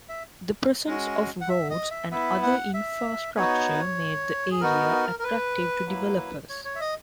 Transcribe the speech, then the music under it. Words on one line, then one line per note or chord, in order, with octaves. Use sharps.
The presence of roads and other infrastructure made the area attractive to developers.
E5
G#3 C#4 F#4
F#5
E5
D#5
E5
B3 E4 E5
F#5
E5
B3 D#4 F#4 C#5
G#4
B3 D#4 F#4 A#4
A#4
B4
F#3 A#3 E4
C#5
C#5
E5
D#5